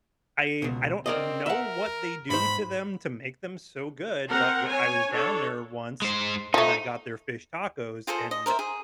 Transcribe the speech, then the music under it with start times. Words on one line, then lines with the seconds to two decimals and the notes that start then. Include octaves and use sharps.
I I don't know what they do to them to make them so good, but w I was down there once, and I got their fish tacos, and,
0.62 C#2 B2
1.06 C4 A#4 D5 D#5
1.46 A#4 E5 F#5
2.30 G#2 C5 B5
4.30 C4 A#4 F#5
4.68 C#5 G#5
5.11 D4 A4 C#5
6.02 G#3 C5
6.54 F3 A3 D#4
8.07 F4 G#4 A4 C5
8.31 D#5
8.46 A#4 C5 E5
8.59 G#4